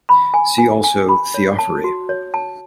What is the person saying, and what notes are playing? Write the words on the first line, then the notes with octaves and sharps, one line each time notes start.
See also Theophory.
B5
G#5
G#5
G#5
B5
C#5
A5
F#4
C#5
A5